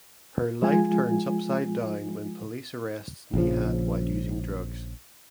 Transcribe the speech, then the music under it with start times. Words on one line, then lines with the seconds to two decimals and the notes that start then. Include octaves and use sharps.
Her life turns upside down when police arrests Nihad while using drugs.
0.62 F3 G#3 F4 G#5
3.34 A#1 C#3 F3